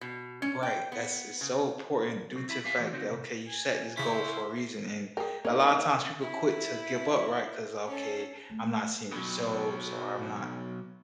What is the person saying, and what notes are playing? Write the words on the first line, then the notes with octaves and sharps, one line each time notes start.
Right, that's it's so important due to fact that, okay, you set this goal for a reason, and a lotta times people quit to give up, right? 'Cause, "Okay, I'm not seeing results or I'm not
B2
C#4
G5
B3
C#3
B1 C#3 C4
E4 E5 A#5 B5
G2 G4 E5 F5 G#5
E3 A3 F#4
C#3 C4 D#4 F#4
G#2 C3
G#5
C#3 C4 C#4 E4 C6 B6
G#4 A#4 G5
A#3 D#4 C#5 D#5
E4
C#4 A4
A3
B2 F#3